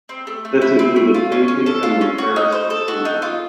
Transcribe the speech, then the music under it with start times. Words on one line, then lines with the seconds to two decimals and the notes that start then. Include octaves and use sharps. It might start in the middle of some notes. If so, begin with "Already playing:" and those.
This included painting and repairs to school buildings.
0.09 C4
0.27 A3
0.45 A3
0.62 E4
0.79 C4
0.96 A3
1.14 F4
1.32 C#4
1.48 C#4
1.66 A4
1.83 F4
2.01 C#4
2.18 F#4
2.36 D#4
2.52 C5
2.70 A4
2.88 F#4
3.05 D#4
3.22 F4